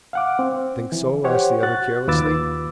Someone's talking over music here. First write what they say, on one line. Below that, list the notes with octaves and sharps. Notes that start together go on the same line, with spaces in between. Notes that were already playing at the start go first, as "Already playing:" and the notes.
"Think so?" asked the other carelessly.
F5 F#5 D6
C4
E3
G4 C5 C#5 F#5
F#4 F#6 A6
D#2 F4 B4 D6 E6 A6